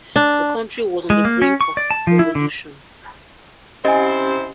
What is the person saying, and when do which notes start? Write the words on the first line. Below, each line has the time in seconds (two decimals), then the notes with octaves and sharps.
The country was on the brink of revolution.
0.16 D4
1.10 G#3
1.25 A#3
1.42 C#4
1.61 C#6
1.77 D5
1.91 A5
2.07 F3
2.19 E4
2.35 D3
3.85 C3 C#4 E4 G4 C5 D#5 G#5